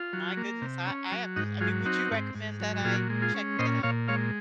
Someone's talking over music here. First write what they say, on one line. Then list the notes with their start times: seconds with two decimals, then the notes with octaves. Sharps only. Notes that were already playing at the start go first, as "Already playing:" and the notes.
My goodness. I I have to I mean, would you recommend that I check that out?
Already playing: F4
0.13 F#3
0.37 A#3
0.62 C3
0.87 C#4
1.12 F#3
1.36 G#2 D#4 F#4
1.61 F#3 F4 G#4
1.85 C4 D#4 F#4
2.11 G#2
2.35 G#2
2.60 F#3
2.85 A#2 F4 G#4
3.10 G#3
3.22 F4 G#4
3.34 C#4
3.59 A#2 C5 D#5
3.83 A#2 C#5 F5
4.08 G#3 C#5 F5